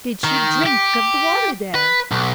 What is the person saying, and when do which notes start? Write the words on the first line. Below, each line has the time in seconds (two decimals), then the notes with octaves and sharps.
"Did she drink of the water there?"
0.24 D#3
0.66 G4
1.75 B4
2.12 B1